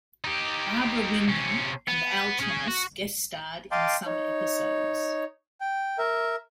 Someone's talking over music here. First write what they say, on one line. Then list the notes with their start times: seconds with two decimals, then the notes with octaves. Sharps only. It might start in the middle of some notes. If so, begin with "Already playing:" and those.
Barbara Wyndon and Al Thomas guest starred in some episodes.
0.24 D#4 G4
1.29 C3 C#4
1.88 B3
2.40 C#4 G#4
2.67 F#4
3.71 D#5 F5 G5 A5 C6 D6
4.06 D#4 C#5
5.61 G5
5.98 A#4 E5